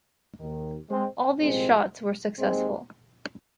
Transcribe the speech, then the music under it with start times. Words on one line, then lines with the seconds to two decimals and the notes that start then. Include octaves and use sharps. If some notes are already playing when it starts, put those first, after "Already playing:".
All these shots were successful.
0.40 D#2 D#3
0.90 G#3 C4
1.39 C2 A#2 F3 G#3 C4
2.38 D#2 D#3 G#3 C4